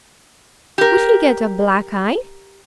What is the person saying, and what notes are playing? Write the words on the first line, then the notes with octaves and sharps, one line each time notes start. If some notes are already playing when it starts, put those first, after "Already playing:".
Would he get a black eye?
G4 A#4